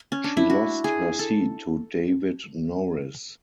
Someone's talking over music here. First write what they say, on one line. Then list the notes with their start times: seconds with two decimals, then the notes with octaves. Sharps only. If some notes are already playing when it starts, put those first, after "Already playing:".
She lost her seat to David Norris.
Already playing: B3
0.12 C#4
0.24 D4
0.37 E4
0.50 F#4
0.84 G#4
1.19 A4